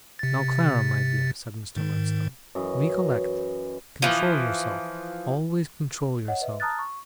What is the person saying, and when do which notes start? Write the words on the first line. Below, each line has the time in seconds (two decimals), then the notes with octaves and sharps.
'Now, Clara my dear,' said Mr. Murdstone. 'Recollect! control yourself, always control yourself!
0.19 C3 A6
1.76 G#2 D#3
2.55 F#2 E3 D#5
4.02 E3 F3
6.28 C#5 D#5 F#5
6.41 B4 D#5 E5
6.60 A5 A#5 D#6 F6 F#6 A6
6.79 C#6